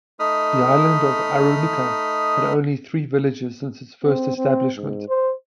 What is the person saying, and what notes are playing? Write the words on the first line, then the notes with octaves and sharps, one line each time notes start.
The island of Aranuka had only three villages since its first establishment.
A3 D#4 D#5 B5 D#6 F6
C4
C4
G#2
C5